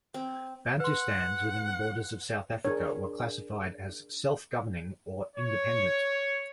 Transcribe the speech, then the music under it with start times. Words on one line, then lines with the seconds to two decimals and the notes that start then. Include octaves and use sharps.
Bantustans within the borders of South Africa were classified as "self-governing" or "independent".
0.14 C4
0.80 B4 F#5 C6
2.65 D4 G#4 A#4 C#5
5.36 C#5